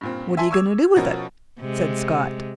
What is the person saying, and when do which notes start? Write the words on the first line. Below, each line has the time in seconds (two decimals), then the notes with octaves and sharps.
'What are you going to do with it?' said Scott.
0.01 G2 A#2 C4
0.37 E5 G#5 A5 C6
0.51 C#6 D6 E6 G#6
0.96 B2 F3 C#4 F#4 A#4
1.60 C3 G#3